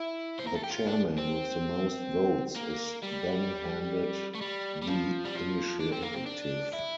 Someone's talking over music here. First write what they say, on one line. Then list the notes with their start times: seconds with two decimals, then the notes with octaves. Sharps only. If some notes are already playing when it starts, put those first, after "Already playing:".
The chairman with the most votes is then handed the initiative.
Already playing: E4
0.40 C5
0.47 A#4
0.56 A4
0.64 G4
0.71 F4
0.87 D4
1.18 C4
2.56 A#3
3.03 G3
4.35 A3
4.42 G3
4.82 G3
4.87 F3
5.25 G3
5.35 F3
5.80 D4
5.92 C4
6.02 A#3
6.14 C4
6.26 D4
6.73 E4